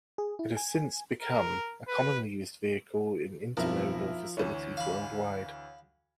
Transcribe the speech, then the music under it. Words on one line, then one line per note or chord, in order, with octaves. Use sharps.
It has since become a commonly used vehicle in intermodal facilities worldwide.
G#4
E4
G#5
A#4
B4
B1 F2 F3 E4 A#4
D2 E3 C#5
F5 B5